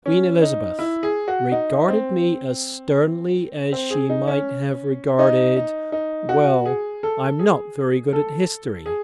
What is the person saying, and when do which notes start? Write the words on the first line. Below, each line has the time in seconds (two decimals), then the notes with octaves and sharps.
Queen Elizabeth regarded me as sternly as she might have regarded--Well, I'm not very good at history.
0.06 C#4
0.42 D#4
0.79 E4
1.03 G#4
1.28 F#4
1.52 D#4
1.88 C4
3.73 C4
3.90 G#4
4.10 D#4
4.27 C#4
5.19 D#4
5.56 D#4
5.92 D#4
6.29 F#4
6.65 G#4
7.03 A4
7.39 G#4
8.13 A4
8.86 G#4